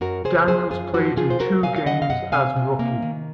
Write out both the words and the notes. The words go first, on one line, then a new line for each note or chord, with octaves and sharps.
Daniels played in two games as rookie.
F#2 F#4 A#4
C#3 G#4 C5
F3 G#4 C5
F#2 F4 G#4
F3 F#4
F3 F4 G#4
C5
F#3 F#4 A#4
F#3 F5 G#5
F5
D#3 D#5 F#5
F5
F#2 D#5 F#5
C3 F5 G#5
C3
A#3
D#3